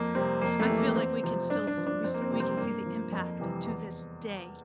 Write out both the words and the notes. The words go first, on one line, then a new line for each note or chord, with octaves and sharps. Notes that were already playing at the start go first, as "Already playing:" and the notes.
I feel like we could still s we s we can see the impact to this day,
Already playing: F2 A#3
C3 G3 C4
F2 A#3
A3
E3 G3
A#3
E2 C4
C3 F3
G2 D4
D4
F3
D4
F2 C4
A#3
C4
C3 E3 G3
C4
G2 A#3
F3
F2
C3 E3 G3
E2